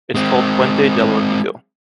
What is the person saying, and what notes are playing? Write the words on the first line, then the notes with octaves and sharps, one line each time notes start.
It's called Puente del Órbigo.
G#3 C4